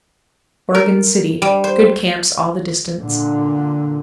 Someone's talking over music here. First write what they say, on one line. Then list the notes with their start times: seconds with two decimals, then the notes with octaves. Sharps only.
Oregon City.--Good camps all the distance.
0.75 A#4
1.42 G3
1.64 C5
2.97 A#2 D3